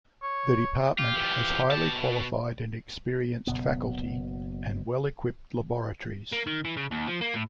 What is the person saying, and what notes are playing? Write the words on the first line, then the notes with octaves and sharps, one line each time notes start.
The Department has highly qualified and experienced faculty and well equipped laboratories.
C#5
F4 G4
E3 F4
B2 A5
F#1 B2 B3
A#3
D#3
E3
C#3
D#2
F3
A#3
A2